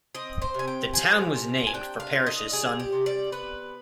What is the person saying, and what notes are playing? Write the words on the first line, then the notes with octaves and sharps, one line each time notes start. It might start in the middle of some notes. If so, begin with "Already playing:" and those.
The town was named for Parish's son.
C4 D#5
C5
C3 G#5
G5
F3 G#5
C3
G#5
D4 G5
F5
F4
D#5
G3 G#4
G4
C3
D5
B3 B4